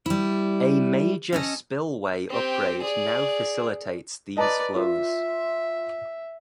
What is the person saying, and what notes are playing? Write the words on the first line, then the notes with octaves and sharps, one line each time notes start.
A major spillway upgrade now facilitates these flows.
G3 E4
C#4 A4 D#5
C4 G4
G#4 D5
B4 D5 D#5 A5 A#5
F4 E5